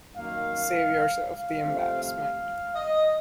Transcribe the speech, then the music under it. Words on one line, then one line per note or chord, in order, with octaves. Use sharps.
Save Yourself The Embarrassment.
F#2 D#3 A#3 F5
F5
C3 F3 A3 C4
F5
D#5